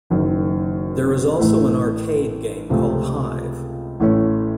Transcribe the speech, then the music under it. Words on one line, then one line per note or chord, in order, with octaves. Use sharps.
There is also an arcade game called Hive!
F#1 F#2 D#3
A1 A2 A3
C#2 C3 F3 A3
A1 A2 A3 C#4